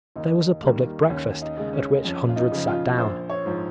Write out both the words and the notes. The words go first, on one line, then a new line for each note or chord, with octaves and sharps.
There was a public breakfast, at which hundreds sat down.
D#2 D#4
D#3 G3 A#3
D#2 C#4
D#4
C#3 G#3
C#4
F2 C#4
F4
D#4
C#3 F3
F4
A#1 C5
C#5
G#2 F3